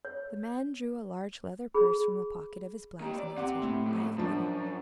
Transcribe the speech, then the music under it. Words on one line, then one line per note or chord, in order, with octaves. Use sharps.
The man drew a large leather purse from the pocket of his blouse, and answered, "I have money."
C#5
G#4 B5
A#3 G4
D5
C4 G4 F#5 D6
A2
F2 B2
F#2 F3 D4